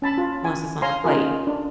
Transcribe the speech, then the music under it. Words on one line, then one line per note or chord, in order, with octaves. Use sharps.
once it's on the plate.
C#4 A5 B5
F4
G#5
C#5 F5 G#5 A#5 C6
C#4 D#4 F4 G#4 A#4
D4